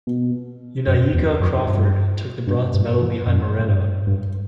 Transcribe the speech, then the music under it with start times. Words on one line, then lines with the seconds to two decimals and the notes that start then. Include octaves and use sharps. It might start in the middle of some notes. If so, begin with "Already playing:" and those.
Yunaika Crawford took the bronze medal behind Moreno.
0.07 B2
0.87 F#2
1.14 E2
1.40 F#2
1.67 G2
2.47 G2
2.74 G2
3.01 E2
3.27 F#2
3.59 A2
3.68 G2
4.07 G2